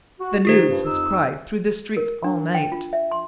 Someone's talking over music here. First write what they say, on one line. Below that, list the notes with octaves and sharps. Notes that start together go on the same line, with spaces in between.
The news was cried through the streets all night.
F#4
D#3 D#4 F4 G4 C5
G2
F2 D#4 E6
A#4
D4
G5
F4
E5
C6